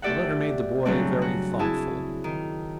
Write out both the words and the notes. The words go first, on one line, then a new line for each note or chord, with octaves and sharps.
The letter made the boy very thoughtful.
A3 G4 D5 E5 F#5
C#3 F#3 G3 A3 C4 D4
F#4
E4 G#4 A5
D#3